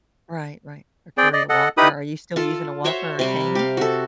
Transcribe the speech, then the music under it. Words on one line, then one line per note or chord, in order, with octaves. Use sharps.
Right, right, or carry a walker. Are you still using a walker or a cane?
C4 G#4 D5 G5
D5 D#5
A4 D#5 F#5
D#4 E4 G4 B4 B5 D#6
F4 A4
F#4 C5 C#5 E5
C3 G3 G4
G4 F5
F#4 A4